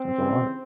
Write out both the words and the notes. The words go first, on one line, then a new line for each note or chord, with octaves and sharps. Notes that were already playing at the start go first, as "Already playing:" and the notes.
That's a lot.
Already playing: C4
C#3 E3 G3